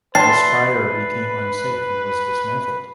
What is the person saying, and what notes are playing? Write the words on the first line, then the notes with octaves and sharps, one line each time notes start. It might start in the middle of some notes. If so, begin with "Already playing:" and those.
The spire became unsafe and was dismantled.
B4 D5 E5 A5 C6 C7